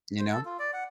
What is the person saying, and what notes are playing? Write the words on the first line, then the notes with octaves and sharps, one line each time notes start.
you know?
C5
A4
F4
D5
F#5